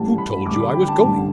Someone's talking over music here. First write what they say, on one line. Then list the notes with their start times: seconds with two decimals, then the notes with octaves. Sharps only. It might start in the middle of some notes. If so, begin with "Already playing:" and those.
"Who told you I was going?"
Already playing: A1 A2 G3 A5
0.18 B5
0.46 D2 D3 G3 D4 D6
0.60 B5
0.74 G5
0.88 A5
1.02 A1 G2 D3